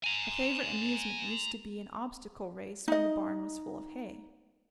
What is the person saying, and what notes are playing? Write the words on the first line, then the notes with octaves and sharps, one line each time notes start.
A favorite amusement used to be an obstacle race when the barn was full of hay.
G#5 A#5
D#4 D#5